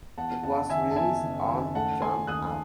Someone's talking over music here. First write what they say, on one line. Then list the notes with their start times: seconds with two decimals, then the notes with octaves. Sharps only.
It was released on Jump Up!
0.18 E2 F#5 A5
0.43 F#1 F#5 A5
0.70 D#3 E5 G#5
0.91 A5
0.96 E2 E5 G#5
1.23 F#1
1.49 D#3
1.75 A3 F#5 A5
2.01 A3 G#5 C6
2.27 D#2 D#6 F#6